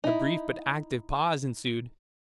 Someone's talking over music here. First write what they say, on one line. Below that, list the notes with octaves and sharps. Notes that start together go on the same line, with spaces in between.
A brief but active pause ensued.
D#4 E4